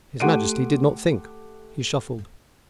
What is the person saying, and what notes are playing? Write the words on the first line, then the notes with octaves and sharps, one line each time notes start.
His Majesty did not think; he shuffled.
A3 G4 F#5 C6 D7 D#7